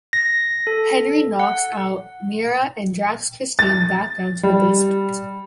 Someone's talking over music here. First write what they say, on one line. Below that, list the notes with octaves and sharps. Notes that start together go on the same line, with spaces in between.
Henry knocks out Meera and drags Christine back down to the basement.
A#6
A4
F#5
A6
G3